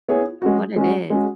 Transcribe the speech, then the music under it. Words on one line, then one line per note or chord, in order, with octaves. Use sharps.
I don't know what it is.
B3 E4 G#4 C#5
G#3 C#4 F#4
G#3 C#4 F#4
G#3 C#4 F#4